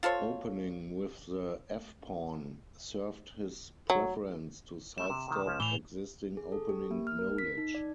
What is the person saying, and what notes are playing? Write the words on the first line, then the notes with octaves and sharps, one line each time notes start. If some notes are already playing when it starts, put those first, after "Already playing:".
Opening with the f-pawn served his preference to sidestep existing opening knowledge.
F4 A4 C5 C#5
F#3
G3 A3 E7
C3
C3 D#3
C#2 F3 C#4
A2 E3 F7 G7
G#4
A4
G4
A#3
F6
A#4
B6
D#4
D5